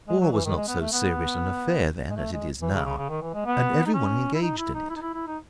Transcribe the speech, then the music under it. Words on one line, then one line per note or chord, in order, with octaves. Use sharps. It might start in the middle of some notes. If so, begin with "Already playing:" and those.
War was not so serious an affair then as it is now, and everyone engaged in it.
G#3
F#3
E3
D#3
G#3
B3
A3
B3
G#3
A3
G#3
E3
C#3
C#3
C#3
D#3
E3
G#3
B3
D#4
C#4
E4
D#4
E4
D#4
E4
D#4
E4
E4
D#4